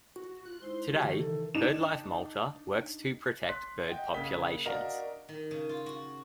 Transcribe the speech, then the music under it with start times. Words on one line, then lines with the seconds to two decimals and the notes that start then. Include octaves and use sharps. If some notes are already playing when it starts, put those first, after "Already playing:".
Today Birdlife Malta works to protect bird populations.
0.16 F#4
0.46 F4 F#6
0.62 G#3 D#4 E4 C5 C6
0.91 D3 E3 F#4 G4
1.17 C3 D#3 E3 A4
1.55 D4 D#4 E7
3.48 C6 F#6 B6
3.88 D#5 F#5 G5
4.14 C#3 A#3 B6 G7
4.65 D4 F#4 A#4 D#5 F5
5.29 D#3
5.51 C#3
5.69 F4
5.86 F#4